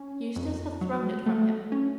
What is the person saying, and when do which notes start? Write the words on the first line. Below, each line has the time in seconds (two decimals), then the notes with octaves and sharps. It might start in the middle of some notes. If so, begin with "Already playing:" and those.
Eustace had thrown it from him.
Already playing: C#4
0.36 F2
0.81 F#3
1.26 A3
1.72 C#4